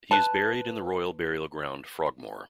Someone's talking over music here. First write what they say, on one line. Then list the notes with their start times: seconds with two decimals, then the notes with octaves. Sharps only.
He is buried in the Royal Burial Ground, Frogmore.
0.11 B4 A5